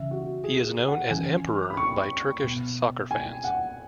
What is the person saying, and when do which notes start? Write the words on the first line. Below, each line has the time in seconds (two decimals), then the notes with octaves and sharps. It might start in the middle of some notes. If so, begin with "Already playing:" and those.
He is known as "emperor" by Turkish soccer fans.
Already playing: C#3 E3 C#4 E5
0.11 F#4
0.44 G#4
0.88 F#5
1.11 E3 C#4 G#5
1.70 B5
1.77 C#6
2.44 B2 B3
3.11 G#5
3.44 F#5